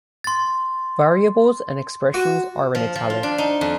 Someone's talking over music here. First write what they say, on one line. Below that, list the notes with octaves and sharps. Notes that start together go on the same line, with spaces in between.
Variables and expressions are in "italic".
C6 A6
F#4
F3
F3
F4
D4
D#4
F2